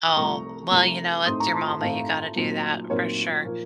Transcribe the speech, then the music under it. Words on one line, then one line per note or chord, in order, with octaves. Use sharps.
Oh, well, you know, it's your mama, you gotta do that for sure.
D#6
C2 C3 F3 A3 A#5 C#6
C2 C3 F3 A3
A2 A3 C4 D#4 C6 D#6
A#5 C#6
A5 C6
A5 C6
A2 A3 C4 D#4 F5 A5
A#2 F#3 C4 D#4
A#2 F#3 C4 D#4 A#4 C#5
A#2 F3 A#3